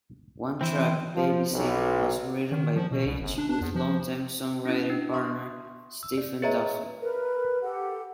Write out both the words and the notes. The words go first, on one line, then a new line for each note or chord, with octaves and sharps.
One track, "Baby Seat", was written by Page with longtime songwriting partner, Stephen Duffy.
E3 C4 E4 C5
F3
B1
D#3
F3
B2
C2
G1
D4
D4
E2
F3
C#4 E4
D4
E5 C6 C#6 D#6
E6
D5
G#4 B4 C#5 D#5 E5 A#5
A#4 B4
G4 A4 F#5